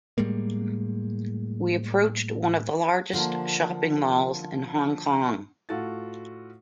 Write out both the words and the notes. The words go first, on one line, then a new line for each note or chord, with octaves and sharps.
We approached one of the largest shopping malls in Hong Kong.
A2 G3 G#3 A#3
D3 F3 A#3 A#4
A2 F4 F#4 A4 A6